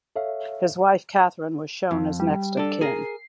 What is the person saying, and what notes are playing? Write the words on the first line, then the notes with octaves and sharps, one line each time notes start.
His wife Catherine was shown as "next of kin".
A4 C#5 E5 F5
F2
G3
D4 A4
G#4 A#4 C7